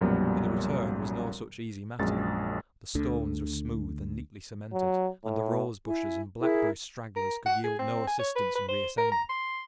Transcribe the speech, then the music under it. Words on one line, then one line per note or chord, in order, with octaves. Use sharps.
But the return was no such easy matter: the stones were smooth and neatly cemented, and the rose-bushes and black-berry stragglers could yield no assistance in re-ascending.
B1 F#2 A#2 F3 G3 B3
A#1 F#2 G#3 A6
D2 D3
F#3
A2
E4 G#5
E4 G#4 A#4
A#4
F#5
G#4
C4
G#5
C#5
B4
B4
C5
A#4
A#5
C6